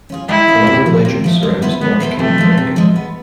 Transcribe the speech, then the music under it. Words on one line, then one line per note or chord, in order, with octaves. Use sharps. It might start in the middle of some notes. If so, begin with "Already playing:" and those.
Another legend surrounds Norse king Breacan.
C#4 F4 G#4
G#3 E4
C#4 F4 G#4
C3
F3 A3
C3
F3 A3
G#3
B3 E4 A4 C5
G#3 B3
B3 E4 A4 C5
C3 A3
F3 G#3
C3
F3 G#3
B3